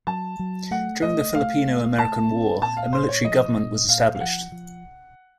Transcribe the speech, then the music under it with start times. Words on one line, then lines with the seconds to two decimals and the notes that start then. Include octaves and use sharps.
During the Filipino-American War, a military government was established.
0.07 F#3 A5
0.39 F#3
0.71 A3 F#5
1.02 A3 D#5
1.34 A3 F5
1.67 A3
1.98 A3 A5
2.30 C4
2.62 A#2 A5
2.77 F5
2.93 A#2 C5
3.09 C#5
3.25 F3 D#5
3.56 A#2
3.88 A#2 F5
4.15 F5
4.20 F3 F#5
4.52 F3